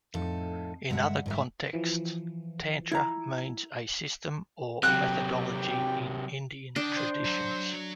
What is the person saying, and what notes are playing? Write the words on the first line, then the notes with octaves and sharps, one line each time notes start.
In other contexts, Tantra means a system or methodology in Indian traditions.
F2 A2 D#4 A4
G2 D3 G#3 E5 F#5
G#2 A#4 E5
E3 F3
E4 A#5
C3 F#3 G4 G5 F#6
D4 D#5 G5
C5
F#3